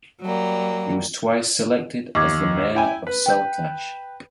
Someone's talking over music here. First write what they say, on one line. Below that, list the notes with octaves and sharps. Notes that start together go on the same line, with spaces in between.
He was twice selected as the Mayor of Saltash.
F#3 G3 A#3
D#2 C#6 D6 G#6
E4 G5 G#5
B4
G5 G6